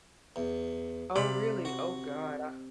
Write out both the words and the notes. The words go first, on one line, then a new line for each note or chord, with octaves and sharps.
Oh, really? Oh, god. Uh,
E2
C3 D5 F5 B5
F#4